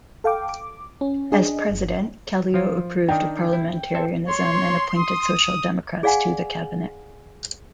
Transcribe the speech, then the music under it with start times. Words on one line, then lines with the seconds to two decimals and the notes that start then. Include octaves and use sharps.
As president, Kallio approved of parliamentarism and appointed Social Democrats to the cabinet.
0.24 A4 F5 G5 D6
0.49 D6
1.01 C#4
1.32 D4 G#4 D#5
1.71 G1
2.54 F3 F4
3.09 D#3 D4 D#4 G5
3.53 E4
3.95 A4 C5 E5
4.29 C#5 C6
4.98 D#6
6.03 G#4 D5 F5 F#5 G#5